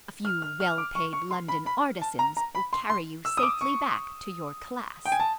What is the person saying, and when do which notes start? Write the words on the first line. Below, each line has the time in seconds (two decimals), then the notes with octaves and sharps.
A few well-paid London artisans will carry you safely back to your class.
0.25 F6
0.42 F6
0.60 F6
0.78 D6
0.95 C#6
1.13 C#6
1.31 C6
1.48 B5
1.66 B5
2.01 A5
2.19 A#5
2.37 A#5
2.55 B5
2.73 C6
2.90 C6
3.25 E6
3.37 D#6
3.43 D6
3.61 C#6
5.05 G5
5.12 G#5
5.20 A5